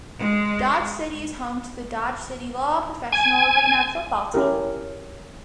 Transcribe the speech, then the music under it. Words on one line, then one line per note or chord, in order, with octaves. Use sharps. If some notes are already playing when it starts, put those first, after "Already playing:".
Dodge City is home to the Dodge City Law professional arena football team.
G#3
G#5
C#4 E4 G4 A#4